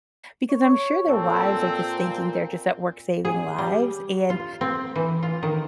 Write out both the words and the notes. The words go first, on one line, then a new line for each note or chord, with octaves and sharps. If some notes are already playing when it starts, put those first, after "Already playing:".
because I'm sure their wives are just thinking they're just at work saving lives, and,
C#5
A#2 C4 A4
G#4
G3
F4
C4
E3
F4
D#3